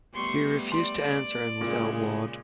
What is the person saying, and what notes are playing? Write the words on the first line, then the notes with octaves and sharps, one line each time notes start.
He refused to answer and was outlawed.
G3 A3 B3 C6 C#6
D5 C6
A#2 C#3 G#3